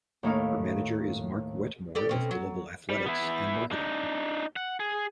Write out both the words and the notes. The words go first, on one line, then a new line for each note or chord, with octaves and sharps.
Her manager is Mark Wetmore of Global Athletics and Marketing.
D#2 A2 D#4 F5
G4 A4 D5
B2 C4 C#4
F#3
G3
B3 E4
D4 D#4
F#5
G#4